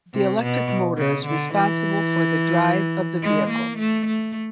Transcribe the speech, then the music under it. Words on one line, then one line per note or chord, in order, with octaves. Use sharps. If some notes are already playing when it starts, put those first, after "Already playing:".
The electric motor is responsible for the drive of the vehicle.
C3
B2
C#3
D3
E3
G#3
A#3
A3
A3